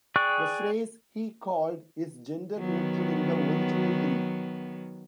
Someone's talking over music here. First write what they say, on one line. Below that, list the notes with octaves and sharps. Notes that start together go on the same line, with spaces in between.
The phrase "he called" is gender neutral in the original Greek.
G#4 D5 G5 C#6 F#6
D#3 F#3 B3